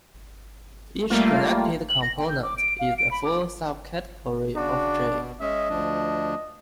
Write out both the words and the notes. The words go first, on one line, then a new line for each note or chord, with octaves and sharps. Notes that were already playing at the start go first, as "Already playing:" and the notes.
Each connected component is a full subcategory of "J".
G3 A3 A#3 F4
F#7
A#6
G5
G6
D6
D7
F5
D7
B5
D6
C#3 D4 F#4
B2
G#3 C#4 D#5 E5
D2 F3 D4